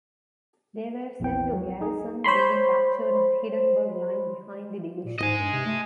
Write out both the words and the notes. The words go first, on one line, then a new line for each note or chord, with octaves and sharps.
They were sent to garrison the captured Hindenburg Line behind the division.
A#1 E2 E3 C4 G5
F#3
D#4 G#4
C5 C#5 B5 C6
A#2
G#2 D#5 G#5
G2
C3
A3